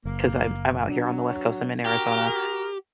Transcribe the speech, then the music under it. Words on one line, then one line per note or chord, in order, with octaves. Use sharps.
'cause I'm I'm out here on the West Coast. I'm in Arizona.
F#1 A#3
F#3 D4
F#4 G4 A#4